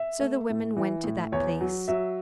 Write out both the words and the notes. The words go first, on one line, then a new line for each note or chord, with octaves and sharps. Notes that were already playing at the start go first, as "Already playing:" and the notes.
So the women went to that place.
Already playing: E5
A3
A2
E3
A2
E2 C#5
F#3
F#3 E5